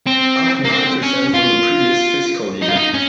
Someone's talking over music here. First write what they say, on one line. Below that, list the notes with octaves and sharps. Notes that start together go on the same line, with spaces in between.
Up nine percent from the previous fiscal year.
C4
A#3
C4
C#4
F4
D#4
F4
D#4
C#4